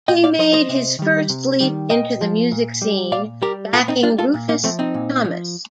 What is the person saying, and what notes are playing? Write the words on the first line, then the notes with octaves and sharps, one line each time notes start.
He made his first leap into the music scene backing Rufus Thomas.
A#2 D#5 G5
D5 F5
F3 C5 D#5
C5 D#5
C3
D#3 G3
C3
D#3 G3
A#2 D#5 G5
F3
A#2
G3
A#2 D5 F5
G3 G4 A#4
A#2 F4 A4
C4 D#4
G3 D4 F4
F4 A4
A#2
A#3
F3 A3 C4
C4 D#4
A#2
F3